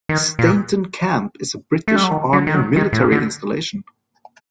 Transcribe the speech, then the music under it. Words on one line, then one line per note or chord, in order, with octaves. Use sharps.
Stainton Camp is a British Army military installation.
D#3
A#2
A3
G3
F#3
D#3
F#3
D#3
F#3
D#3
A2
A#2
D3